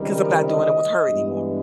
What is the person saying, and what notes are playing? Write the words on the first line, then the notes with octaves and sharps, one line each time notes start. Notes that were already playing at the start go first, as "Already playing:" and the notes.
'cause I'm not doing it with her anymore,
Already playing: C#2 C3 D#3 G3
A#4
D#5
G2 E3 G#3 B3